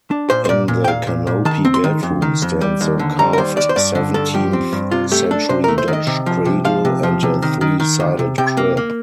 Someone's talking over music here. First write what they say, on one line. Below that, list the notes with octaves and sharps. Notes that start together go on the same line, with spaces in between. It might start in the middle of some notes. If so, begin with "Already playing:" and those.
In the canopy bedroom stands a carved seventeenth-century Dutch cradle and a three-sided crib.
D4
A#2 C5
C5
A#2 D5
A#2
G5
A#2 F5
A#2
A#2
D#3 A5
C4
C6
D#3
F2
D#3
F2
G3
D#2
D3
G3 A#5
A#4
D#2 C5
D#2 D5
C5
G2 D5
D3
G2 A4
F3 G4
C4
G2
C3 F4
A3 G4
D4 A4
C3 C5
A3 A#4
C5
D#3
D#5
C3
F3
C3
F3 F5
C3
F3
C3
D#3
D#3
D#3
D2
C3
C3 G5
A#3
A#3